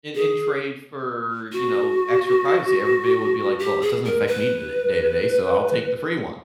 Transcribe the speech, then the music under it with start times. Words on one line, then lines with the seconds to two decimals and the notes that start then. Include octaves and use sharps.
in in trade for, you know, extra privacy, everybody would be like, "Well, it doesn't affect me tod day to day, so I'll take the free one."
0.15 G#4
1.53 F#4
3.59 G4
3.82 G#4
4.05 A#4
4.27 B4